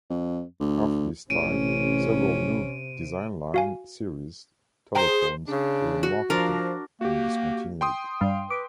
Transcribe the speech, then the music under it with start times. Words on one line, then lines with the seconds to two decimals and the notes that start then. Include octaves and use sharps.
After this time several new Design Line series telephones were marketed and discontinued.
0.10 F2
0.60 D2
1.30 A1 C3 C#4 D7 D#7
3.54 F#4 F5 G#5
4.95 G#4 C5 G5 A#5
5.48 C#3 D4
6.03 F#4
6.30 F3 D4 A#4
7.01 A#3 F#4 G4
7.81 G5 C6 D#6
8.21 G2 F5
8.50 B4 D6